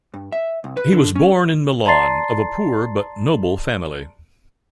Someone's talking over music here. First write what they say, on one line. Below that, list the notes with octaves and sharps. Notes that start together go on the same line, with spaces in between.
He was born in Milan of a poor but noble family.
G2
E5
C2
B4
D3
C#4
D5 A5 A#5 C6 A6 C7